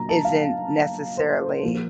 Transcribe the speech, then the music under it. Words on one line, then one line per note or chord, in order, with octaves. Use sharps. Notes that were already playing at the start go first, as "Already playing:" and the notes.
isn't necessarily
Already playing: A#2 F#3 A#3 D#4 A#5
A5
F5
C5
A#2 F3 A#3